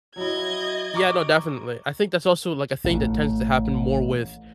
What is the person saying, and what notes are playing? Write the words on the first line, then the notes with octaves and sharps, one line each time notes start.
Yeah, no, definitely. I think that's also like a thing that tends to happen more with,
F#3 E4 D#5 G#6
A#5 C#6 D6
A1 A3